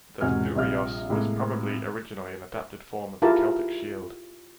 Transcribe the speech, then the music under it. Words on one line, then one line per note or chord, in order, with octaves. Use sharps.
The "thureos" was probably originally an adapted form of a Celtic shield.
E1 G#2 C3 F#4 G#5 F6
A#1 C3 G3 D#5 F5 F6
A2 C3 G#3 A#3
E4 F4 G4 G#4 A#4 A5